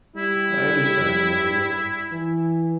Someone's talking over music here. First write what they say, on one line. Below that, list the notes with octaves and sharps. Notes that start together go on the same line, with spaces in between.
I understand, though, yeah.
G3 E4
E3